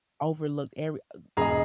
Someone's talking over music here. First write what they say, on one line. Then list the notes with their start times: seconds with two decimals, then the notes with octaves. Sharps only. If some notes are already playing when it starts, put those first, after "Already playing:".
overlooked every, uh
1.37 E1 G#4 D#5 A#5